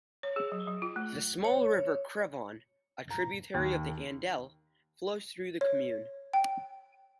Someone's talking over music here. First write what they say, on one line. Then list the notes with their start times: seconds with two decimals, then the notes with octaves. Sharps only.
The small river Crevon, a tributary of the Andelle, flows through the commune.
0.23 C#5
0.36 G#4
0.52 F#3
0.68 F#3
0.82 F4
0.96 A3
1.45 C#5
3.11 A#5
3.54 D#2
5.61 C#5
6.33 G5